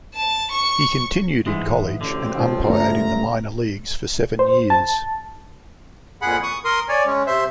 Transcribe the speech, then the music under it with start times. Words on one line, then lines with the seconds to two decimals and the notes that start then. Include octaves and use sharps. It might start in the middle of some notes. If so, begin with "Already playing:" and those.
He continued in college and umpired in the minor leagues for seven years.
0.15 A5
0.51 C#6
1.46 G#2 E3 G#3
2.01 A1 F#2 D3 C4
2.38 C#2 F3
2.70 G1 A#2 A3 A#5
4.39 C5
4.70 A5
6.22 F2 A#2 G#4 F#5 B5
6.43 C#6 D#6
6.65 A#4 C6 D#6
6.89 C#5 D5 G#5
7.06 G#3 C#4
7.27 C3 C5 E5